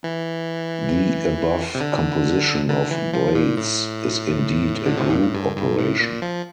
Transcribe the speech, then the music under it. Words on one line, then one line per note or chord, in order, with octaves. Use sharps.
The above composition of braids is indeed a group operation.
E3
C3
D3
D3
E3
F3
A#2
A2
D3
C3
A#2
A2
G2
G2
A2
A#2
F3